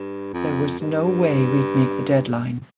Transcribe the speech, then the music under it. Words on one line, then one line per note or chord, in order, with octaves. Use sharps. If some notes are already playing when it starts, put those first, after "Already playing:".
There was no way we'd make the deadline.
Already playing: G2
F2
G2